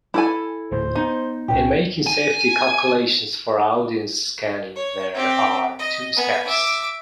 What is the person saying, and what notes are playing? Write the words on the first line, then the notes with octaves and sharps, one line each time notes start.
In making safety calculations for audience scanning, there are two steps.
E4 A4 G#5 B5
D1 D#2 A3 C5
B3 D#4
C2 A#2 C#4 G4 B4
G#5
C#5
C4 G4
D#5
B3 G#5
E5 D6